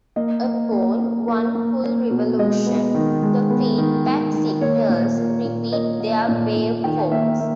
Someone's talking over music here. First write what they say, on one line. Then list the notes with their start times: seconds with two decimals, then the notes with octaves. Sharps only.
Upon one full revolution, the feedback signals repeat their waveforms.
0.16 A#3 D#5
0.44 A#3
0.72 A#3
1.00 A#3
1.28 A#3
1.55 A#3
1.84 A#3
2.11 B2
2.39 G#3 D#5
2.66 B3
2.95 D#3
3.22 G#3
3.50 B3
3.78 D#3
4.06 D#3
4.34 D#3
4.61 A#3 C#5
4.89 A#2
5.17 A#3
5.45 A#2
5.72 A#3 D#5
6.00 A#3
6.28 A#2
6.56 A#2
6.84 D#3 G5
7.12 A#3 E5
7.40 A#3 E5